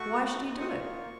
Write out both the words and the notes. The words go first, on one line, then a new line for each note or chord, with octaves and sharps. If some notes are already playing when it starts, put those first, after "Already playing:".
Why should he do it?
Already playing: A3 F#4 C#6
C4 D#4 F#4
D#6
A#3 F4 C#6